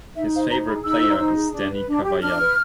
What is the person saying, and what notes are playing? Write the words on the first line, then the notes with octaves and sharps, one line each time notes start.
His favorite player is Dani Carvajal.
D#4 E5
C5 F5
D#4 A#5
G#4 B5
D#4 E6
C5
D#4
G#4
D4
B4
D4
G4
D4 F6
B4